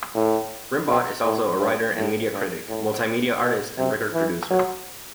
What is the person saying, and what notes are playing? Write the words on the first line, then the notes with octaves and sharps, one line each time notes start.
Rimbaud is also a writer and media critic, multi-media artist and record producer.
A2
B2
A2
G2
A2
G2
A2
B2
C3
E3
F#3